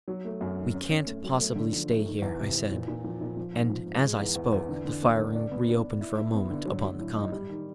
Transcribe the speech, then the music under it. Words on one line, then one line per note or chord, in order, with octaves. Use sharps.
"We can't possibly stay here," I said; and as I spoke the firing reopened for a moment upon the common.
F#3
A3
F#2
D#3
C#4
C#4
A3
F#3
A3
D3
F3
A3
D#3
E2
C3
E2
A#2
A#2
F3
A#2
F3
G#2
F3
G#2
G#3
E2
E2
E2
D3
D3
A#3
D3
D4
B3
D4
D4
E4
E4
B3
D3
F#3
F#3
A2
D#4
G3
D#3